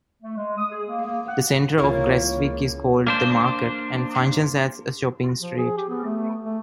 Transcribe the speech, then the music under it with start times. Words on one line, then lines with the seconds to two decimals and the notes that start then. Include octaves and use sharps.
The centre of Gressvik is called "The Market", and functions as a shopping street.
0.23 A3
0.37 G#3
0.58 D#6
0.72 G#4
0.88 A#3
1.06 A#3
1.29 F#5
1.78 C#2 E3 A#3 E4 F4 A#4 C#5
3.07 A#3 D4 C5
5.40 F3
5.58 G#4
5.77 G4
5.89 B3
6.04 A3
6.44 A3